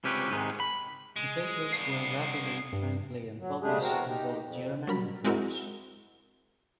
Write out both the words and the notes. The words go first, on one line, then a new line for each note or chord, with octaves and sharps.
The papers were rapidly translated and published in both German and French.
C#2 C3 C#4 G4 B4
G#2 C3 D#3 G#3
B5
G#3
G2 B3 C7
G2
F#3
C#3 G#3 A3 D4 G4 G#4
E2 C3 C4 F#4 A#4 C5
D#4 G4
F2
F#3 G3 A#4 B5
G#3 C4 E4 F#4 A#4